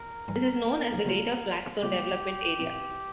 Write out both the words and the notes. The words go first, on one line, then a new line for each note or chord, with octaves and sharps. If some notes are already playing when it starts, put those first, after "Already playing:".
This is known as the Greater Flagstone development area.
Already playing: A#4
G#2 E3 G3
C#3 G3 A#3 F4 C5
C#3 G3 A#3 F4 G4 C5
A#2 F3 C4